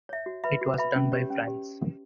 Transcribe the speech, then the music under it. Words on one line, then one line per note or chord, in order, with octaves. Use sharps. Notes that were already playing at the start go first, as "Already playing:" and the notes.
It was done by France.
C#5 E5
F#4
B4 E5 B5
F#4
B4 E5 B5
C#4
G4 C#5
C#4
G4